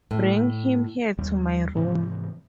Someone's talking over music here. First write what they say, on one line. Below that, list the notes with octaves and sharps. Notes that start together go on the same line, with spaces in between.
Bring him here to my room.
A2
D#2 G3
G#2 C3 E3 F3